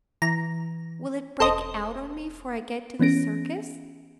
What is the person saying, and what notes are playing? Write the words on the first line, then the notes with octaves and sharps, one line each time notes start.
"Will it break out on me 'fore I get to the circus?"
E3 A#5
E1 A4 C5 D#5
E3 B3 C#4 A#6 D7